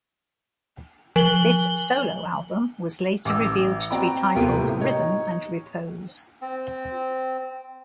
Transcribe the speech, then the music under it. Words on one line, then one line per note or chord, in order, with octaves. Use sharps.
This solo album was later revealed to be titled "Rhythm and Repose".
F3 F#7 G7
A1 D6 E6
C4 F#4 D5 G5 A#5 B5
D#1 C3 A#3 B3 F4 D7
A2 C3
D#4 C#5
C4